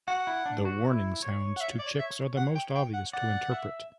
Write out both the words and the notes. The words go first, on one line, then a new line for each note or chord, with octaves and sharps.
The warning sounds to chicks are the most obvious to interpret.
F#4 F#5
E4
D4
F#4
E4
C#5
F#5
E5
D5
E5
F#5
G5
G5
F#5
D5 F#5
E5